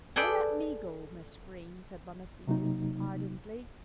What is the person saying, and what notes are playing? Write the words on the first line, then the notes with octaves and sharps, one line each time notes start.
"Oh, let me go, Miss Greene," said one of the youths ardently.
G#4 A4 B4 D5 G5
C3 F#3 A#3 D#4